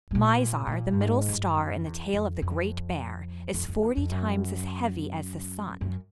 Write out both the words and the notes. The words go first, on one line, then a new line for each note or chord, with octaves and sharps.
Mizar, the middle star in the tail of the Great Bear, is forty times as heavy as the sun.
A2
A#2
A2
A#2
G2
G#2
G2
F#2
E2
F2
F2
F2
F2
E2
F2
F#2
F#2